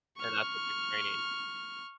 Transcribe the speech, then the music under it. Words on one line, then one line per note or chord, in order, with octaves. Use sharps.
and that's what you're training.
C#6 F6